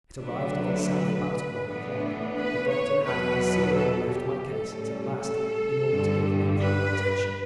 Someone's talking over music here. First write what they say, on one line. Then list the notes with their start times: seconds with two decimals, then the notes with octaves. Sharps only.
It arrived of itself about one o'clock. The doctor had considerately left my case till last, in order to give me proper attention.
0.20 D2 D3 F#3 A3 D4 B4
1.63 A2 E3 B3 D4
2.34 B4
2.69 C#5
3.05 E2 B2 F#3 B4
3.76 A4
4.11 G4
4.47 A2 G3 C#4 A4
5.18 A4
5.89 G2 D3 G3
6.60 B4